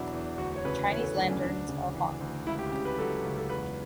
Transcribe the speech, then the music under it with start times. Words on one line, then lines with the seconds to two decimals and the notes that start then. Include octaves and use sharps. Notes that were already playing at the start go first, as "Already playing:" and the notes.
Chinese lanterns are hung.
Already playing: E2 B2 F#3 D4 E4
0.13 E2
0.38 D2 F#4
0.56 C#5
0.65 C#3 B4
0.90 E3 C#5
0.99 A4
1.04 B4
1.16 D2 D4
1.30 C#4
1.42 D2 D4
1.69 C#3
1.94 E3
2.21 D2
2.47 C#2 E4
2.59 G4
2.72 C#3 G4
2.85 B4
2.98 F#3 A4
3.25 C#2
3.38 A4
3.50 E2 B4